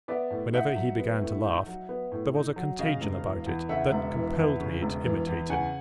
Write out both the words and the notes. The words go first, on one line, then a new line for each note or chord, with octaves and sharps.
Whenever he began to laugh, there was a contagion about it, that compelled me to imitate him.
B3 D5 E5
A2
D#4 E5 F#5
F#3
B3
A2
D#4
F#3
B3
A2
D#4
F#3
C#3 D#5 F5
E1
E3
E2
C#3 E5 F#5
E1
E3
E2
C#3
E1
E3
E2
C#3 F#5 G#5